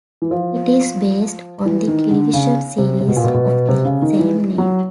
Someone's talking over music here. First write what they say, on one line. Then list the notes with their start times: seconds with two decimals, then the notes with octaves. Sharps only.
It is based on the television series of the same name.
0.22 E3
0.31 F3
1.65 E3
1.88 D#3
2.11 D3
2.33 C#3
2.78 C3
3.01 C3
3.08 B2
3.16 A#2
3.24 B2
3.34 B2
3.69 C3
3.85 C#3
4.02 D#3
4.19 E3
4.58 F#3